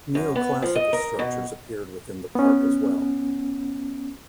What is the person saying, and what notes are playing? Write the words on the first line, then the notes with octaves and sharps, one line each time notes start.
Neoclassical structures appeared within the park as well.
F#2
B3
F3
D#5
A#4
B2
B3 C#4